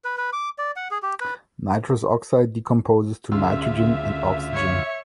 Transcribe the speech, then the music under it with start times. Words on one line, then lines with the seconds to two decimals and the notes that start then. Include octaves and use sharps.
Nitrous oxide decomposes to nitrogen and oxygen.
0.04 B4
0.18 B4
0.33 D6
0.58 D5
0.76 F#5
0.91 G#4
1.03 G4
1.21 B4
3.32 D2 C#3 F4 E5 C6 E6
4.54 C#5